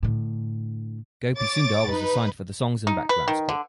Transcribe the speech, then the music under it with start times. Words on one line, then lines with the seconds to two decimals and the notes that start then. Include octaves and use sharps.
Gopi Sundar was assigned for the songs and background score.
0.03 A2 D3
1.35 C#5 D6 A6
1.88 D#4 B4
2.87 D#4
3.09 B4
3.28 D#3
3.49 D3